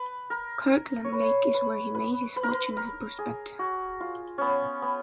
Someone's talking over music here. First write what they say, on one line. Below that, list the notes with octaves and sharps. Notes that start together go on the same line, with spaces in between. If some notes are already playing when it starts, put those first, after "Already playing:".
Kirkland Lake is where he made his fortune as a prospector.
Already playing: B4
A#4
C#5
B4
B4
B4
B4
A#4
B4
A#4
G#4
F#4
F4
B3 C#4
B3